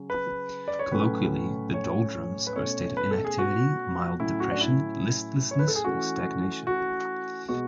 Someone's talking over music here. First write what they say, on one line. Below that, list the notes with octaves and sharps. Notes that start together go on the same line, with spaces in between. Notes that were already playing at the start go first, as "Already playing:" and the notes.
Colloquially, the "doldrums" are a state of inactivity, mild depression, listlessness, or stagnation.
Already playing: C#3 F#3 C#4
B4
D5
C#5
A2 F#3 A3 C#4 B4
C#5
B4
B2 A3 C#4 C#5
B4
A4
G#4
F#4
A2 F#3 C#4 E4
F#4
D4
E4
C#5
B4
A4
G#4
E3 A3 C#4 F#4
F#4
B2 G#3 B3 F#4